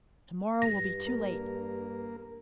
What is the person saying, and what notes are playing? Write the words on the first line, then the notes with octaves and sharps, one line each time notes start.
"To-morrow will be too late."
G2 A#6
A#3 A#4